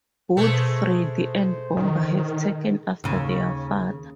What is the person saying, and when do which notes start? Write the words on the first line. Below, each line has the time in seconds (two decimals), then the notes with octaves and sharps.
Both Freddie and Bomber have taken after their father.
0.37 B2 G#3 A3 C5
1.77 D#3
3.04 D#2 C#3